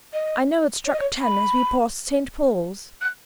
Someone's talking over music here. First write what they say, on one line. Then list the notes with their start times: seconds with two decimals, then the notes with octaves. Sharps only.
"I know it struck ten as we passed St. Paul's."
0.13 D#5
0.85 C#5
0.92 D#5
0.99 C#5
1.21 B5
3.01 F#6